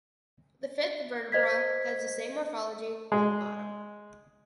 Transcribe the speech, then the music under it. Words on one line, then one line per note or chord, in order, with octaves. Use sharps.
The fifth vertebra has the same morphology from the bottom.
C5 D#5 G#6 B6
G#3